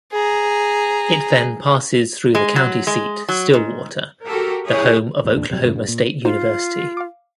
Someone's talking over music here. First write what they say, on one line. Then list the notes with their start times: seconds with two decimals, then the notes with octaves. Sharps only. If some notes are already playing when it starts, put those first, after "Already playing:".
It then passes through the county seat, Stillwater, the home of Oklahoma State University.
0.12 G#4 A#5
2.35 G#3
2.56 F#3
2.87 G#3
3.29 F#3
3.53 G#2
4.26 F#4 G4 A4 A#4
4.65 E4 G#4 C#5
5.24 E2 A2
5.36 E2 A#2 D4
5.50 F2 C3 F#3 G3
5.64 G2 C#3 E3 A3
5.76 G2
5.88 A#2
6.25 D#4 F4 F#4 C5
6.97 F5 D6